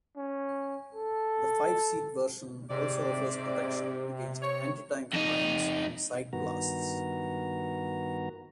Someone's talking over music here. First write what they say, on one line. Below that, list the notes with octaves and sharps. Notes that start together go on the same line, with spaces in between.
The five-seat version also offers protection against anti-tank mines and side blasts.
C#4
A4
G#2 C3 D5
C#5
F2 D#4
G2 D#3 B3 F#4 A#5